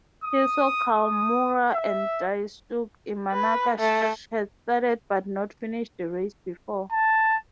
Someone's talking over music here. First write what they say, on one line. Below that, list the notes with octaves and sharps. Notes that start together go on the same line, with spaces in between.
Kisso Kawamuro and Daisuke Imanaka had started but not finished the race before.
D#6
D#6
E5
B4
A3
A5